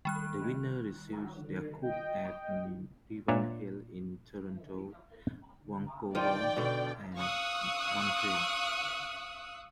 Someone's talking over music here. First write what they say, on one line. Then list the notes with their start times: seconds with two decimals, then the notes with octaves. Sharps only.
The winners received their Cubes at events held in Toronto, Vancouver, and Montreal.
0.05 D#3 G3 F#6
1.82 D#5 G5
3.28 A#2 D4 B4 C#5 E5
6.15 D#3 F3 F4 D5 G5
6.56 B2 D3
7.18 F5 C#6 D#6 E6 F#6